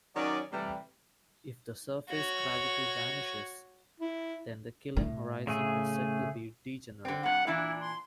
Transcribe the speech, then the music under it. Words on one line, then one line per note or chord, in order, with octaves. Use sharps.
If the surface gravity vanishes, then the Killing horizon is said to be degenerate.
D#3 F#3 C#4 C#5 D5
A2 C3 E3 G3
F#4 C#5
E4
A2
C#3 A3 G#4
D3 C4
G2 C3 F#5
A#2 E3 D4 E4
C6